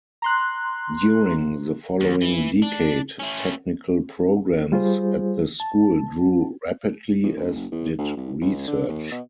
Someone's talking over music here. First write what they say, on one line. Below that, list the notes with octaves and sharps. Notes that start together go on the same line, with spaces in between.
During the following decade, technical programs at the school grew rapidly, as did research.
A#5 C6 F#6
D#2
E3
D4
A3 C#4
G3 F4 G#4 C5
A5
E2
D2
F#1
E2
D2
C2
C#2
D3
D#2
B2